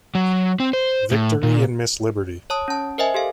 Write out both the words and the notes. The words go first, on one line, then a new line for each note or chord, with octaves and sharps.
Victory and Miss Liberty.
F#3
C4
C5
A2
A#2
C#5 A5 D#6
C#4 A5
A#4 C5 D#5 E5 G#5
G4 A4 F5